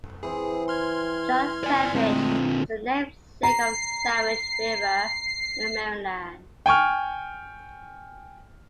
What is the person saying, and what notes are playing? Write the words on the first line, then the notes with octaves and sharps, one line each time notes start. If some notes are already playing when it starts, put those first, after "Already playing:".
John Savage is the namesake of the Savage River in Maryland.
E3 C4 G#4
C6 F6 G#6
D5 G#5
D3 G#3 A3 C4 D4 D#4 F4
A#5 C7
G5 G#5 C#6 F6